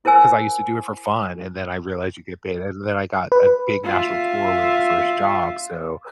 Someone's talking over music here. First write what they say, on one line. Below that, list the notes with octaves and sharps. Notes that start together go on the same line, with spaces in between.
'cause I used to do it for fun, and then I realized you get paid, and then I got a big national tour with first job, so
E4 A#4 C5 G#5 E6
B4
F4 E5